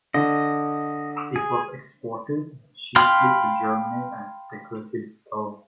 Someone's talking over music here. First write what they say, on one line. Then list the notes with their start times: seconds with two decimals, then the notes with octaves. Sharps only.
It was exported chiefly to Germany as decorative stone.
0.14 D3 D#5
1.36 G#4
2.96 F5 G5 B5 C6 F6